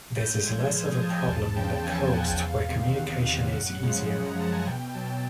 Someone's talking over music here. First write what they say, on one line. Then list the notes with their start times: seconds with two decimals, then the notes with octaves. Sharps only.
This is less of a problem in the coast where communication is easier.
0.16 A2 G6
0.30 G6
0.44 F3 G#3 G#6
0.58 G6
0.71 A2 F6
0.86 D#6
1.00 F3 G#3 A5
1.09 G5
1.14 G#5
1.28 E2 A5
1.56 C#3 F3 G5
1.84 E2 G#5
1.93 A5
2.01 G#5
2.12 C#3 F3 F#5
2.41 E2 F5
2.69 C3 D#3 F5
2.97 E2 F#5
3.25 C3 D#3 F5
3.53 F#2 F#5
3.82 C#3 F3 G#3
4.10 F#2
4.26 A#5
4.38 C#3 F3 G#3 A5
4.52 G#5
4.66 B2 G5
4.94 F#3 A5